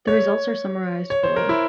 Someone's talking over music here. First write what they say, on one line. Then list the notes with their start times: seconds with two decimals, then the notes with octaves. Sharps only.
The results are summarised below.
0.07 C#5
1.10 C#5
1.23 C5
1.36 A#4
1.49 E4